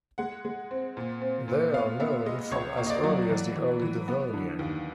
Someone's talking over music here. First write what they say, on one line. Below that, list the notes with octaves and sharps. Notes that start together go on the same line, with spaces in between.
They are known from as early as the Early Devonian.
G#3 F#5
G#3
C4
A#2
C4
A#2
B3 F5
B3 E5
G#3 D#5
C#2 C#5
A#3
D#5
D5
F#3
E3
E3
E3
B3
D3
D#2